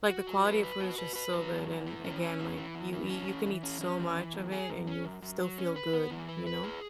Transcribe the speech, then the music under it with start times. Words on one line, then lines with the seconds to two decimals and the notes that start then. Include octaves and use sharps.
like, the quality of food is just so good, and again, like, you eat you can eat so much of it and you'll f still feel good, you know?
0.09 F#4
0.27 F#3
0.45 B4
0.63 B4
0.81 F#4
0.98 B4
1.15 B4
1.33 F#3
1.51 E2
1.69 E2
1.87 E3
2.04 C#4
2.22 C#4
2.40 E3
2.57 E3
2.75 E2
2.93 E3
3.10 C#4
3.28 E3
3.46 E3
3.63 C#4
3.81 C#4
3.98 E3
4.17 E3
4.34 F#2
4.52 G#4
4.70 F#2
4.87 C#4
5.05 F#2
5.22 F#2
5.41 F#3
5.58 C#4
5.76 B4
5.93 B3
6.11 E3
6.29 B4
6.46 B4
6.64 G#4